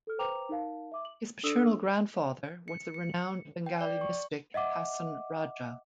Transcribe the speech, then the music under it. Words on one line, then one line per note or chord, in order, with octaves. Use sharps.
His paternal grandfather was the renowned Bengali mystic Hason Raja.
A4 F6
B4 C5 G5 A#5 D6 F7
D#4 A#4 F5 A5
E5 D6
F#7
D4 A4 D5 D#6 E6 F#7
C#7
C#7
G5
D5
C#6
D#5 E5 F#5 D6